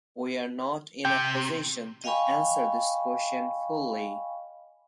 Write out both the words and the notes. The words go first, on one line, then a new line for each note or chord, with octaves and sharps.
We are not in a position to answer this question fully.
C3 G5
D#5 F5 G5 G#5 B5 C#6